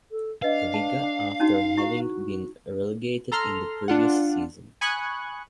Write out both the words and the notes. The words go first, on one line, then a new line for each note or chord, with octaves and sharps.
Liga after having been relegated in the previous season.
A4
D4 B4 D#5 F5 F#5
A5
C#4 D#4 F#4
E4 F#4 C#6
A4 A#5 C6 F6
D4 F4 F#5
G#5 B5 C#6 D#6 F#6 G#6